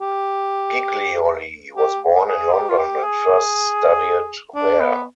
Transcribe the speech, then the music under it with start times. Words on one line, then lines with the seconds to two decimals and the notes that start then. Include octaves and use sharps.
Giglioli was born in London and first studied there.
0.01 G4
1.77 G4
2.28 G#4
2.53 G4
2.69 F4
2.78 G4
3.04 G#4
4.55 D4
4.80 B3